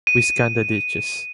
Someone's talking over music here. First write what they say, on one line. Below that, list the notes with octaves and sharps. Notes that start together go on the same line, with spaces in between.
We scan the ditches.
D#7